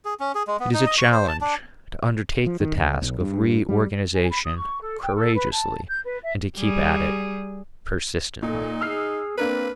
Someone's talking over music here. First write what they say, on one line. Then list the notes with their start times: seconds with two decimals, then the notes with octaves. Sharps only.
It is a challenge to undertake the task of reorganization courageously and to keep at it persistently.
0.05 G#4
0.20 C#4
0.35 G#4
0.47 G#3
0.60 B3
0.74 D#4
0.86 D#5
0.98 C#6
1.12 C5
1.28 A5
1.41 D4
2.46 F3
2.60 D#3
2.75 C#2
3.02 B1
3.20 G2
3.69 G3
4.15 G#5
4.31 B5
4.45 D#6
4.57 C#6
4.81 A4
5.02 G5
5.15 A4
5.35 B4
5.53 A5
5.88 G6
6.04 B4
6.23 E5
6.58 G3 G#4
8.43 A#2 D#4 A4
8.81 G#4 E6 F6 C7
9.38 A#3 C4 D4 A#4 B4